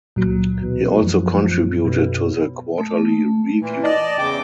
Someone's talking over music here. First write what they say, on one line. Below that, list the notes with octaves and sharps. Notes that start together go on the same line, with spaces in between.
He also contributed to the "Quarterly Review".
C#2 A#2 F#3
B2 E3
F#2 F3
B1 B2
A3
A#2 E3
D5 D#5 A5
E2 C#3 G5 D6